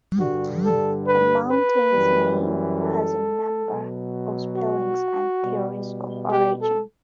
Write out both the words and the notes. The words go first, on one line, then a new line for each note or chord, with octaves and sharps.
The mountain's name has a number of spellings and theories of origin.
G2 D3 G3 F#4
A4
B4
B4
F#2 E3 G3
A4
B2 F#3
F#4
B2 G3
G4
A4